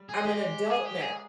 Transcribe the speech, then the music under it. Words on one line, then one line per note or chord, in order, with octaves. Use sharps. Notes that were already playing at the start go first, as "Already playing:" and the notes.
I'm an adult now
Already playing: G3
G#4
G#3 G4
G#4
G4
G#4